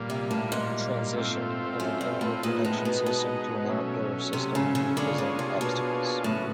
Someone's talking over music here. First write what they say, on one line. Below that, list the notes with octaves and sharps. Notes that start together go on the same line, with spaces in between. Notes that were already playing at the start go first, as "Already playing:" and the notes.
Transition of an indoor production system to an outdoor system may present obstacles.
Already playing: A#2 G3 A#3
C3
A2
G#2
A3 C4 F4
F#2
G2
A2
A#2 G#3 B3 D#4
A2
B2
B2
F#3 A3 C#4
C3
C#3
C#3
D3 A#3 D4 F4 G#4 C#5
C#3
C3
B2
A2 C#3 F#3 B3